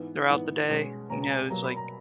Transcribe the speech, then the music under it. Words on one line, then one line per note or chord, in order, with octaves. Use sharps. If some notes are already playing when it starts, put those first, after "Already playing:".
throughout the day, you know, it's, like,
Already playing: G#2 E3 B3
G#2 E3 B3 F#5
B2 G#3 C#4
B2 G#3 C#4 A#5
A#5
G#5
B2 F#3 A#3 A#5
B5
A#5